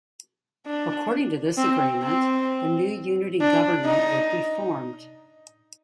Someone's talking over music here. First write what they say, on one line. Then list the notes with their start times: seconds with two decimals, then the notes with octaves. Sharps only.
According to this agreement, a new unity government would be formed.
0.67 D4
1.57 C4
2.03 C4
3.41 D4
3.85 D#4